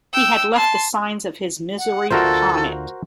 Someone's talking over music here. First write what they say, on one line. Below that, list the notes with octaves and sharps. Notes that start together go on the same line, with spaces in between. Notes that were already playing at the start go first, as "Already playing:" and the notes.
He had left the signs of his misery upon it.
G5 E6
A5 C6
F#5
D2 F4 F#4 A4 A#4 C5 E5